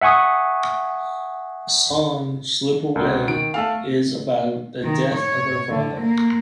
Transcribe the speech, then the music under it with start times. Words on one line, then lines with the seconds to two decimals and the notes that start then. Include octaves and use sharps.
The song "Slip Away" is about the death of her father.
0.01 E5 F#5 G#5 C#6 D#6
2.96 C#2 B2
3.28 D#3 D7
3.54 A3 A4 F5
4.83 D#3
5.15 C#5
5.69 D3
6.01 A#3